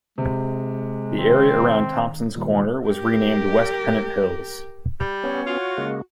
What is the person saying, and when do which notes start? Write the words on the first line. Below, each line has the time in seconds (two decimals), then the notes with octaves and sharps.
The area around Thompsons Corner was renamed West Pennant Hills.
0.18 C3 G#3
1.16 D#3 C4
2.36 A#2 D#3 G3
2.88 G4 A#4
5.00 G3
5.24 B3 C#4 C#5
5.46 F4 F#4
5.77 C#3 G#3 A#3